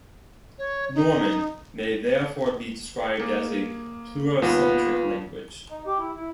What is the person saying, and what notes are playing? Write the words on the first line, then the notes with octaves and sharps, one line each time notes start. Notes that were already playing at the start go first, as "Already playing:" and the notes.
Norman may therefore be described as a pluricentric language.
C#5
D#4
A#3 G#4
D#2 B3 F4 B4
D#4
G4
E4
E4